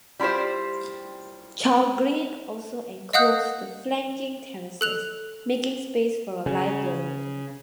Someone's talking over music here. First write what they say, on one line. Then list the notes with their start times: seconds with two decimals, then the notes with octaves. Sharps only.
Chalgrin also enclosed the flanking terraces, making space for a library.
0.20 G3 E4 F4 G4 C5
3.13 D#5 F5 F#5 D#6 F#6 G6
4.81 A4 F#6 F7
6.46 C#3